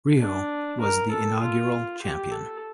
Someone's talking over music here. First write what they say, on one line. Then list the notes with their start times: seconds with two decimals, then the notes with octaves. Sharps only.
Riho was the inaugural champion.
0.20 D4
0.81 A#4
1.11 A4
1.41 F4
2.02 G4
2.32 A4